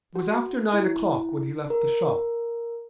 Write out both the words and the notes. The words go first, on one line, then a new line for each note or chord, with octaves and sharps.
It was after nine o'clock when he left the shop.
F#4
E4
A#4